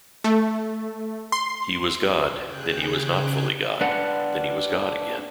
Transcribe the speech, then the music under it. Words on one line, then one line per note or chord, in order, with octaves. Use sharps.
He was God, then he was not fully God, then he was God again.
A3
C6
C#3 G#4 G5 F#6 G6
D4 B4 F#5